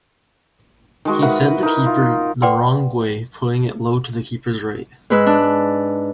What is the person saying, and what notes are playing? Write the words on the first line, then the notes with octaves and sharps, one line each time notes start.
He sent the keeper the wrong way, putting it low to the keeper's right.
D#3 G#3 F#4
A#4 B4 E5 F#5
D#4 E4 A#4
F4
B4 D5 F#5 G5 C6
G#2 G#3 B4 E6
D4